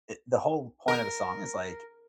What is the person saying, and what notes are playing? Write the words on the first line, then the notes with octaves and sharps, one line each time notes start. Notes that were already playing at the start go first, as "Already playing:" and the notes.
i the whole point of the song is like,
A#4